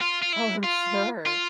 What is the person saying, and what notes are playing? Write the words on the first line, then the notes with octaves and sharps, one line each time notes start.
Oh, I'm sure.
F4
F4
E4
F4
F4